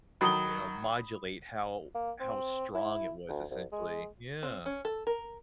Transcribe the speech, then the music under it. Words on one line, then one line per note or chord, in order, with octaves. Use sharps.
you know, modulate how how strong it was essentially. Yeah.
D#3 F#3 B5 D#6 G7
A#3
C4
E4
D2
C2
G#3
C4
C#4
A4
A#4